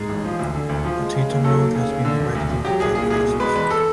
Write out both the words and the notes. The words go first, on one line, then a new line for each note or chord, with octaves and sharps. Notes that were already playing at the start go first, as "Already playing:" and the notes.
Potato growth has been divided into five phases.
Already playing: G#2 G#4
A1
F3
D2
D3
D2
F3
G#3
C#3
D#2
F#3 A4
D#2
C#3
D#2
D3
E1
D2
E1
F#3 G4
C2 G#4
A#2 G#4
C2 G#4
B2
G#3 B4
E2 B4
A4